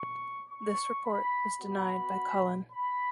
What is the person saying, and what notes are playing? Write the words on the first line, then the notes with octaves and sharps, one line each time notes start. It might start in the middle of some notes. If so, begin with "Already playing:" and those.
This report was denied by Cullen.
Already playing: C#6
C#6
B5
B3 F#4 B5
B5